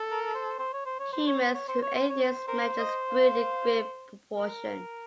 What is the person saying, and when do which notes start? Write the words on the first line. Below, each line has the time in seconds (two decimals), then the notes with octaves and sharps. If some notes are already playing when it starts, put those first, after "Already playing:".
Humans who ate these medlars grew in great proportions.
Already playing: A4
0.11 A#4
0.35 C5
0.59 C5
0.73 C#5
0.86 C5
0.99 C#5
1.13 C5
1.27 C#5
1.41 C5
1.55 C#5
1.68 C5
1.82 C#5
1.96 C5
2.09 C#5
2.23 C5
2.48 A#4 C5
2.79 D#5
3.11 F5
4.37 A#4